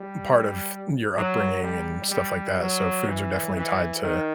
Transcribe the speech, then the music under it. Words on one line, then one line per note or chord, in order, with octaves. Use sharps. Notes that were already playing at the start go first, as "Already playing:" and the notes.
part of your upbringing and stuff like that, so, foods are definitely tied to
Already playing: G3
F#3
G3
G3
F#3
E3
E3
D#3